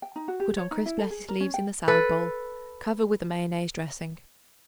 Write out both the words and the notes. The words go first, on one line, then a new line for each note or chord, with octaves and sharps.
Put on crisp lettuce leaves in the salad bowl; cover with a mayonnaise dressing.
G5
D#4
F#4
G4
C#5
D#4
E4
A4
G#4
A#4
C#4
G5
A4 B4